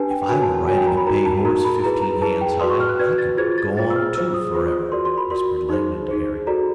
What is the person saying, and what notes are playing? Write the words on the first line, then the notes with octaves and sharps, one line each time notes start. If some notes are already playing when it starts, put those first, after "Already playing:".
"If I were riding a bay horse fifteen hands high I could go on, too, forever," whispered Langdon to Harry.
Already playing: D4 G4 B4 G#5 A5
G5
G5
F#4 A#4 C#5 G#5
A5
A5
F#4 A#4 C#5 G#5
G5
A#5
B5
D#4 F#4 A#4 A#5
A5
A5
D#4 F#4 A#4 A#5
B5
E4 G#4 B4 A#5
A#5
E4 G#4 B4 A5
G5
F#4 B4 D5 C6
C#6
F6
F#6
F#4 B4 D5 G#6
A6
F4 G#4 C5 G#6
A6
F4 G#4 C5 A6
E6
F6
F4 G#4 C5 E6
D#6
F4 G#4 C5
F#4 A#4 D5 C6
C6
B5
F#4 A#4 D5 C6
D#4 G#4 C5
D#4 G#4 C5
F#4 A4 D5 A#5